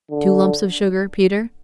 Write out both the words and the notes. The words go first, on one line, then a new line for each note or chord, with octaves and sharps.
"Two lumps of sugar, Peter?"
D3